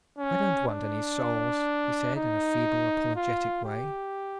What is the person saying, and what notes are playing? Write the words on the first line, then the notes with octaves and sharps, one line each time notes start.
"I don't want any souls!" he said in a feeble, apologetic way.
C#4
D4
D#4
F4
G4